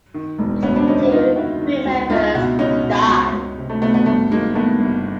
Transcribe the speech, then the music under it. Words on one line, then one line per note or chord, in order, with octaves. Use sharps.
Two crewmembers died.
D#3
E1
D2 B3 C#4
C4 D4
D#3 C#4 D#4
D4 E4
D#3 D#4 F4
D#3 E4 F#4
D#3
C#2
C#2 D#4 F4
B2 E4 F#4
C#2 C#4 D#4
B2
C#2
C#2
C3
A3
C3 A3 B3
A3 B3
G1 A3
D#3 G#3 A#3
D#3 A3 B3
G1